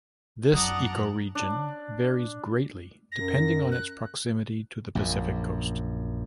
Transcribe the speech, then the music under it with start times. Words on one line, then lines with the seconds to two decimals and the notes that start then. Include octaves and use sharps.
This ecoregion varies greatly depending on its proximity to the Pacific coast.
0.53 F#2 F#3 D4 F#5 A#5 D#6
1.35 D4
3.12 F#2 A#6
3.71 F#6
4.95 A#1 F#2